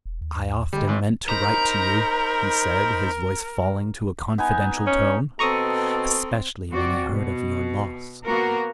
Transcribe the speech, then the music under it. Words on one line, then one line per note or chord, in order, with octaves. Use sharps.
"I often meant to write to you," he said, his voice falling to a confidential tone, "especially when I heard of your loss."
E1
D#2
D3 G3 G#3
G#1 G#2
D#4 A#4 C5 A#5 B5
B3 D#4 G#5
C#4
B2 C4 A4 A#5 C#6 D#6
F2 C4 F#4 D5
B2
A#3 B3 F#4 A#4